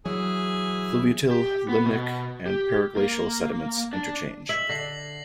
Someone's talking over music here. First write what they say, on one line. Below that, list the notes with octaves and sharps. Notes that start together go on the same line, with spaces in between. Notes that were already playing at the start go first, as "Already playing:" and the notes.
Fluviatile, limnic and periglacial sediments interchange.
E3 F#3 G#4
G4
B3
B2
G4
A#3
D4
E5 F#7
D3 A#6 C7 F#7